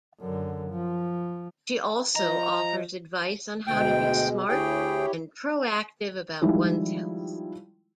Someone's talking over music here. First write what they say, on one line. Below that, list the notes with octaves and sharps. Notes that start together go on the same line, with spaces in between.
She also offers advice on how to be smart and proactive about one's health.
F#2 D3
F3
F3 D#5 A#5
D2 B2 G#3 G5
D2 E4 G4 G#4 C#5 G5
D#3 F3 G3 G#3 E4